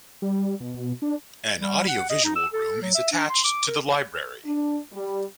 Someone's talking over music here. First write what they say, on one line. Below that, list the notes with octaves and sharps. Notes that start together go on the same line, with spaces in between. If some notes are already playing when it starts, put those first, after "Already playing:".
An "Audio Visual Room" is attached to the library.
G3
B2
D4
G3
F#5
D#5
D#4
E6
A4
F#3
E5
D4
C6
D6
A#4
D4
G3